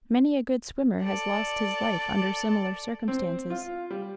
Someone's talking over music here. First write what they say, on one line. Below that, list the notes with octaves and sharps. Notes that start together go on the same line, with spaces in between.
Many a good swimmer has lost his life under similar circumstances.
A4 D5
C4
F4
G3